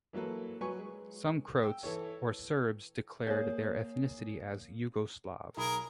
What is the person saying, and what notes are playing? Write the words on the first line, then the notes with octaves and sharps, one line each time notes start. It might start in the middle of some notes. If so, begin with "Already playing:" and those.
Some Croats or Serbs declared their ethnicity as Yugoslav.
E3 F#3 A#3 A4 B4
F#3 B4 G#5 C#6
G#3
G5 E6
E3 A4 C#5
A#3 G#4 C#5
B1 G#4 A#4 B5